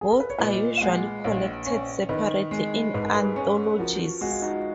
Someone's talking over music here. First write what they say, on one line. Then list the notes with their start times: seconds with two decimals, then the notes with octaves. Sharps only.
Both are usually collected separately in anthologies.
0.01 G#4
0.11 A#4
0.20 B4
0.30 C#5
0.39 A#2 B4 D#5
0.77 F5
0.81 G#3 D#5 F#5
1.24 A#1 C#5 F5
1.66 C#4
2.09 D#3 B4 D#5
2.51 G#3
2.94 G#2 B4
3.04 A#4
3.15 G#4 B4
3.36 C#4
3.79 F3 F#4 A#4
4.21 G#3 F#4
4.31 F4
4.42 D#4 F#4